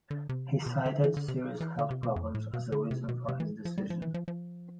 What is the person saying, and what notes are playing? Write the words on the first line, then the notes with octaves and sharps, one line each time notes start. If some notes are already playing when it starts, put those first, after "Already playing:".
He cited serious health problems as a reason for his decision.
D3
C3
B2
D3
E3
D3
C3
E3
D3
C3
B2
F2
A2
B2
D3
C3
B2
C3
E3
F3
G3
F3
E3
F3
F3